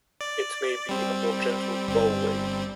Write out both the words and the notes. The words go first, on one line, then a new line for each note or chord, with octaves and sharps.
It may be a more gentle "bow wave".
D5
G3 C4
G1 G3 C4